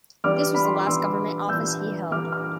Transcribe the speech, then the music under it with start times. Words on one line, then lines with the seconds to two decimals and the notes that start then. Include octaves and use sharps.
This was the last government office he held.
0.24 E3 G3 B3 D4 D6 F6
0.55 B5
0.65 C6
0.75 D6
0.86 E3 G3 B3 D4 C6 E6
1.49 E3 G3 B3 D4 E6 G6
2.12 E3 G3 B3 D4 D6 F6
2.32 D6 F6